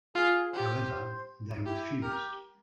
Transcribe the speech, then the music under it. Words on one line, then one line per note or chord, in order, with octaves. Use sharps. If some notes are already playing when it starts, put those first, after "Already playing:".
However, they refused.
F4 G#4
G4 C5
E4 G4
G4 A#4